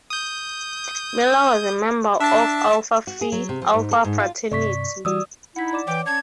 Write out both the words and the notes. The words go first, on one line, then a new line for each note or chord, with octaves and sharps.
Miller was a member of Alpha Phi Alpha fraternity.
D#6 G6
D4 E5 A5
F#4
G#4
F#3
C3
F3
G#2
A4
G#2
F4
G2 C3 D5 C#6 B6
E3 G3 F#4 D5 D#6 E6
D#4 E4 F#5 B6
D5 D6 E7
E3 C#5 G5 D6
C#4 A5 G#6